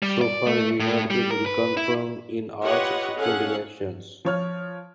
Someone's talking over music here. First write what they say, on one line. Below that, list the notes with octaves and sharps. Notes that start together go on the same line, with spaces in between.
So far he had been reconfirmed in all subsequent elections.
G3
D5
A3
A2
G3
A#4
B4
E4
F4 G4 B4 C#5 D#5 F#5
C#4 G#4 A4 F5 F#5
F3 C#5 F6